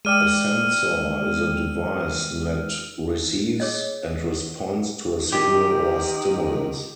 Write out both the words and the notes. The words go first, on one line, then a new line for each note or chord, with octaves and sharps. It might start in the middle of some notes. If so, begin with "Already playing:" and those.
A sensor is a device that receives and responds to a signal or stimulus.
G#3 D5 G5 E6 F6 D#7
G#4 C#5 D#5
D#3 G4